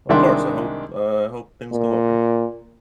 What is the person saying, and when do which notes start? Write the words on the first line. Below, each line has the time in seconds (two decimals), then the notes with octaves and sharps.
Well, of course, I hope uh, I hope things go well for you.
0.09 C2 D#3 G#3 D4 E5 C6
1.72 A#2